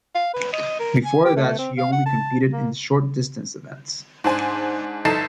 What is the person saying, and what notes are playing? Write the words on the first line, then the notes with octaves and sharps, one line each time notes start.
Before that she only competed in short distance events.
F5
B4
D#5
A#4
G#5
G4
A3
C4
F5
F#5
A5
A#3
G#2 D4 C5 G#5
G1 D#4 A4 A6 C7 E7